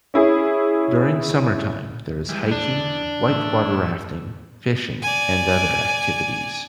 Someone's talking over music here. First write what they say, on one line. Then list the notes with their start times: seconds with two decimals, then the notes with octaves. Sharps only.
During summertime there is hiking, whitewater rafting, fishing, and other activities.
0.14 C#4 E4 G#4
2.29 E3 G3 G#3
2.51 E2 D4
3.28 A2 E3 E6
5.02 D5 G#5